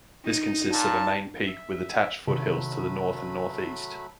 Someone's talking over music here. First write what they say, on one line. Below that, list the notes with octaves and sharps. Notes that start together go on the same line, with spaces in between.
This consists of a main peak with attached foothills to the north and northeast.
D#4
A#2 A5
E5
C3 D#3 F#3 A3 B5